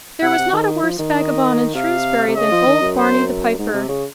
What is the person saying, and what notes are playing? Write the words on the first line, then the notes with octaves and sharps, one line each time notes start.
There was not a worse vagabond in Shrewsbury than old Barney the piper.
C3 F#5
C3
D#3
F3
D#3
D#5
C3 F5
C3
C#3 D#5
F3
D#3
F#2
C5
G#2
C3
C#3